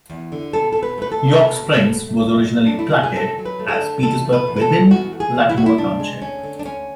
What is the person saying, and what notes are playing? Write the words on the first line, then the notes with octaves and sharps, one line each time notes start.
York Springs was originally platted as Petersburg within Latimore Township.
E2
D3
B2 A4
B2 A4
B4
A3 B4
A4
A3
B2
B2
A3
A3
F#2
F#3
D4
A3
E4
D3 F#4
G#4
F#2 A4
F#3
B4
A3
G#4
A4
D3
E2 A4
A3
B4
E2
B4
A4
B2
E2 F#4
A3
G#4
E2
E4
B2 F#4
E4
D2 D4
G#3
D2 C#4
D3
D4
D2 C#4